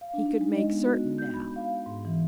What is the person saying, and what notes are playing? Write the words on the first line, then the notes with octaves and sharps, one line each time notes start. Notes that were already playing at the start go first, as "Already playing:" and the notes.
He could make certain now.
F5
D4
D#4
G#3
D#5
B3
F#4
G6
B5
F5
G#2
E3